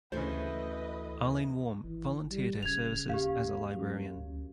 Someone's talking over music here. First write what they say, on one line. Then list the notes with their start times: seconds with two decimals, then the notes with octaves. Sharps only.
Arlene Warm volunteered her services as a librarian.
0.12 D2 C#3 E3 A3 B4 C5 D#5
1.84 G#1 E3
2.31 G3
2.63 D#1 C#3 G#6 F7
3.09 D#2 G4 F5
3.74 F#2
4.15 D2